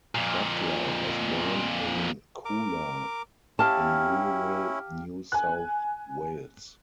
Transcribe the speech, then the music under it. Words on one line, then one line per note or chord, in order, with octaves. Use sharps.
Butler was born in Coolah in rural New South Wales.
F2 A#2
A#4 D6
C#4 E4 G4 F5 G5 A5
G#5 F#6